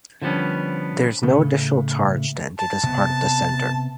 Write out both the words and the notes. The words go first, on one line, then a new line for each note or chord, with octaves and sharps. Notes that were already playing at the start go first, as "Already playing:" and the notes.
There is no additional charge to enter this part of the centre.
D3 F3 G3 B3 C#4
A2 C#3 A3
A5
C3 B3